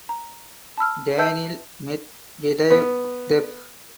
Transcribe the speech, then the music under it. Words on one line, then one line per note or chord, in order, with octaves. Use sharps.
Daniil Medvedev def.
A#5
A5 B5 E6 F6
B4 E5 A5 E6 G6
B3